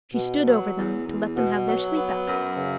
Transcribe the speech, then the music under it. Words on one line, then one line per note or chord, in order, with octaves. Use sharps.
She stood over them to let them have their sleep out.
B2
F#3
E2
E2
B2
F#3
B3
F#2
C#3